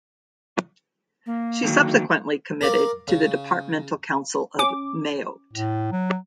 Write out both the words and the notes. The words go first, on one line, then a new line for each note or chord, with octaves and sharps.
She subsequently committed to the Departmental council of Mayotte.
A#3
D3 D#3 F#3
A#4 D5 F5
C#3
C#4 D6
A2
F#3